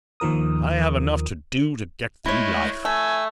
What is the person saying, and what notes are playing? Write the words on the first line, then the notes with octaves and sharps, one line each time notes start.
I have enough to do to get through life.
D#2 D#3 F3 A#4 D#6
G#3 A3 E4 C#5 D#5
A3 G#5 E6